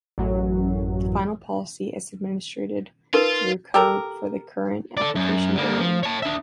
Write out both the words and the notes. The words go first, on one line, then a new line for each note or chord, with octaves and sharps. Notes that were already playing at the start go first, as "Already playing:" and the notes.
The final policy is administered through code for the current application domain.
A1 F#2 F#3
D#4 F4 A#4 B4
G4 A4 A#4
A4 D5
F#2
D3 A#3
F3
C#5 A5
D4 E5